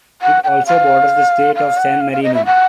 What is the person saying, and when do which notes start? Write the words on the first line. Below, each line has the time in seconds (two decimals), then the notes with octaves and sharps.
It also borders the state of San Marino.
0.22 F#5
0.44 G5
0.48 F#5
0.66 F5
1.55 F5
1.78 F#5
2.01 F5
2.12 F5
2.23 D#5
2.34 E5
2.46 F#5